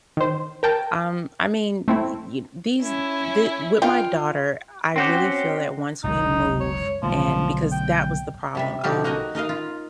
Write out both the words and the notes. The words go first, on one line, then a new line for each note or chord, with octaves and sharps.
Um, I mean, e e eh these d the with my daughter, I really feel that once we move and because that was the problem, um,
D#3 C5
A#4 G5 A5
A3 C4 E4
C#4 E4
F4 G5
C4 C#4 F#4 G4
F#1 C#2 C3 D#4
C#5
B1 D3 F3 A3
G5
C3 G3 E5
B2 D3 F3 G3 D#4 G4
A#3 F#4 A#4 D#5
D#4 A#4 D#5 F5
F4